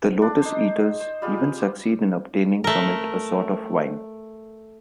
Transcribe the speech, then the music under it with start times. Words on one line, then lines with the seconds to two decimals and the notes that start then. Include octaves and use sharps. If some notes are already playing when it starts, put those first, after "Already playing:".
The lotus-eaters even succeed in obtaining from it a sort of wine.
0.22 D4
0.42 D#4 C5
1.00 C5
1.22 G3 F4 G#4
2.64 A3 A#4